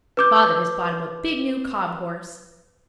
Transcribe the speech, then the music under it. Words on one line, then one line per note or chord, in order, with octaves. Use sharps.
Father has bought him a big new cob horse.
B4 D6 G6